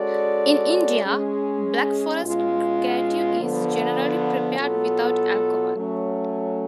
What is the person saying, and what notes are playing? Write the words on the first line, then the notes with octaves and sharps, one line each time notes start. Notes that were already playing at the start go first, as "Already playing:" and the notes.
In India, Black Forest gateau is generally prepared without alcohol.
Already playing: G#3 C#4 F#4 A4 D5
G#3 C#4 G#4
B2 G#3 C#4 F4
D3 F3 B3
B2 F#3 B3 F4 A4
F#3 A3 C#4